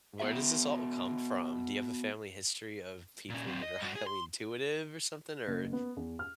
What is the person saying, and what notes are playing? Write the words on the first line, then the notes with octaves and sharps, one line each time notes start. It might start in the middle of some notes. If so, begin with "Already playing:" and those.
Where does this all come from? Do you have a family history of people that are highly intuitive or something or
B3 F#4 E5
A#2 C#4
F#3 C4
D#5
G2 F#4
G#4
C6
F#1
B3
E2
F6